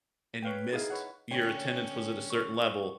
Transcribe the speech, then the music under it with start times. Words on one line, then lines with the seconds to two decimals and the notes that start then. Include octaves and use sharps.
and you missed your attendance was at a certain level,
0.43 B4 C#5 F5 G5
0.72 D#4 E4 G#4 F5
0.90 B4 C#5 F#5
1.31 D3 C#4 C#5 G5
2.30 C#6